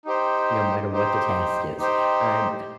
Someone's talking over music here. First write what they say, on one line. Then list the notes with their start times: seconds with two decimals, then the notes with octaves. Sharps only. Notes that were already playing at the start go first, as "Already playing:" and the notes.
no matter what the task is, I'm
0.05 D#4 G4 C5 G5
0.92 D#4 G4 C5 G5
1.78 D#4 G4 C5 G5